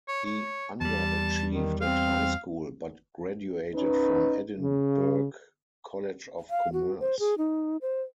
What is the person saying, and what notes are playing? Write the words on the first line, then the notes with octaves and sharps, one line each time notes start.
He underachieved at High School but graduated from Edinburgh College of Commerce.
C#5
C#5
E2 G3 A5
D#3
C4 F5
C#4 D#4 B4
C#3
F5
F#4
C5
G#4
D#4
C5